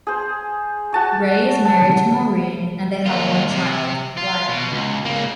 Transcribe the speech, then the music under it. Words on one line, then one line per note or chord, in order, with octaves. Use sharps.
Ray is married to Maureen and they have one child, Ryan.
G#4 C5
F#4 A5 C#6
A5
D#2 F4
C3
F4
B2
C#2
C#3 A#3